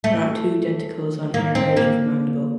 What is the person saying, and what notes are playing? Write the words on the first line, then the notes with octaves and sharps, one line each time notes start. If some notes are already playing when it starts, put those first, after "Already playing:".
There are two denticles on inner edge of mandible.
A3
A#3
C4
A#3